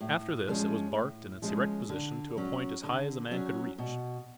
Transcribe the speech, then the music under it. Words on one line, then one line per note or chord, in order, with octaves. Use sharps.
After this it was barked in its erect position to a point as high as a man could reach.
A2
F3 G#3 C#4
A2
F3 G#3 C#4
D3
F#3 C#4
D3
F#3 C#4
B2